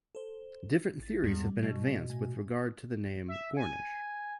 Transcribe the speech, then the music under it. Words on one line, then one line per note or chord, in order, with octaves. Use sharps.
Different theories have been advanced with regard to the name Gornish.
A4 C5
A1 A6
E2 G#2 G3
B2
A2 G#5
E5
G#5